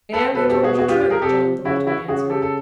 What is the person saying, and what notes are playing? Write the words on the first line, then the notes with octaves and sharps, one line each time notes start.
"And they told you true," John Thornton answered.
A4 B4
B2 A4 B4
G4 A4
F#4 G#4
F#4 G#4
F4 G4
F4 G4
G#4 A#4
C3 G4 A4
C#3 E4 F#4
E4 F#4
C#3 F#4 G#4
G4 A4
A4